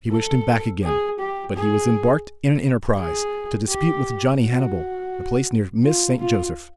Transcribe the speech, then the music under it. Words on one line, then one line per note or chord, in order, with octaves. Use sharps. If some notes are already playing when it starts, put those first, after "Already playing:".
She wished him back again, but he was embarked in an enterprise to dispute with Johnny Hannibal a place near Miss St. Joseph.
A4
G#4
G4
G#4
G#4
G4
F#4
F4
F4